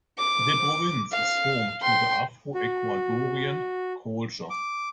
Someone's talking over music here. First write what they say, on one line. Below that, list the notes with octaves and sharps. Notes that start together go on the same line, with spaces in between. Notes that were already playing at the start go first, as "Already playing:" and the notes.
The province is home to the Afro-Ecuadorian culture.
D6
F5
G5 C6
F#4
D6